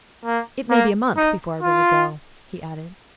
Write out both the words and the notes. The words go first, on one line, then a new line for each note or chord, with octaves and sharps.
"It may be a month before I really go," he added.
A#3
A#3
D#4
F4